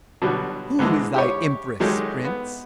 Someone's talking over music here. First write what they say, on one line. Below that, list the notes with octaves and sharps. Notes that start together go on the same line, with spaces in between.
Who is thy Empress, Prince?
B2 D3 F#3 G3
G#2 D3 E3 G#3
G4 C#5
D#3 F#3 G#3 G4 A4
B3